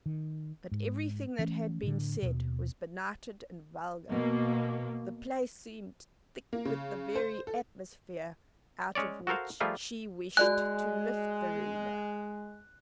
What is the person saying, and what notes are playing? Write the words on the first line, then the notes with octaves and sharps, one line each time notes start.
But everything that had been said was benighted and vulgar; the place seemed thick with the very atmosphere out of which she wished to lift Verena.
D#3
G#2
E3 A3 C#4
A2 D3
D#2 B2
B2 A#3
A#3
C#3
C5
A4
G#3 C#4 C#5 D5
F#4 A4 A#4 C5 F5
F3 G3 A3 F4 G#4 A#4
G#3 F#4 D5 G#5 F#6